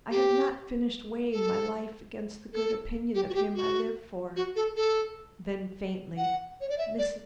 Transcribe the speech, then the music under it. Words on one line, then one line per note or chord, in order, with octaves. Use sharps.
I have not finished weighing my life against the good opinion of him I live for." Then faintly--"Mrs.
G4
A4
A4
G4
F#4
G4
F#4
F#4
A4
A4
F#5
C#5
D5
E5
D5